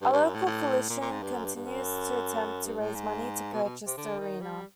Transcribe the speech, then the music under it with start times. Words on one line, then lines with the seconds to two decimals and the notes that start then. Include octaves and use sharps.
A local coalition continues to attempt to raise money to purchase the arena.
0.02 G2
0.13 G2
0.24 F#2
0.35 A2
0.46 A2
0.90 A#2
1.01 A#2
1.11 G#2
1.23 G2
1.34 F#2
1.45 G2
1.56 G2
1.66 F#2
2.66 G2
2.80 A2
2.95 G#2
3.54 B2
3.64 B2
3.86 C3
3.97 D3
4.19 D#3
4.42 G3